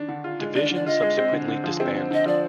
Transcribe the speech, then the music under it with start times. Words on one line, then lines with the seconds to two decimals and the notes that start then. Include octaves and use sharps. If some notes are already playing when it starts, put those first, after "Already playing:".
Division subsequently disbanded.
Already playing: D#3 D4
0.09 D3
0.24 F4
0.40 G#3
0.55 D4 D5
0.71 D3 D5
0.86 F4 D#5
1.02 G#3
1.17 C4
1.33 D3
1.48 D3
1.64 F3
1.80 C4
1.95 D3
2.11 D3 D#5
2.26 F3 D5